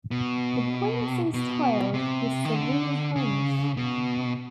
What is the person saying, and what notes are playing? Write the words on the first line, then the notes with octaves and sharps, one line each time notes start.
The Prince is styled "His Serene Highness".
B2
B2
C3
D#3
D3
C#3
B2